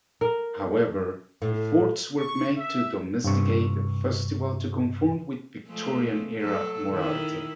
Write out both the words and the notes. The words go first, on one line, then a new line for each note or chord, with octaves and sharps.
However, efforts were made to "domesticate" the festival to conform with Victorian era morality.
A#4
A2
C#6
E5
G2 C3 C#6
F3 G#3 A3
F#3 A4
D#3 E4